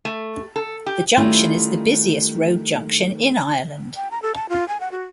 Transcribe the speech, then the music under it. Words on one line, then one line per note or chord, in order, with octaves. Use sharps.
The junction is the busiest road junction in Ireland.
A3
A4
G4
D#3 G3 A3 C#4 E4 F4
G5
A#5
A4
A5
F4
G#5
F#5
F#4